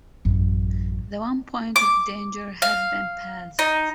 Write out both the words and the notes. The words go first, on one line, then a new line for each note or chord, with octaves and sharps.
The one point of danger had been passed.
A1 F#2
D6
F5
D#4